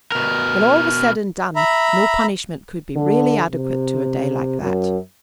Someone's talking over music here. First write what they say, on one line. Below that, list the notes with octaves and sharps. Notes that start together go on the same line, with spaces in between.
When all was said and done no punishment could be really adequate to a day like that.
B2 A#4
E5 A#5 B5
D3
C3
F#2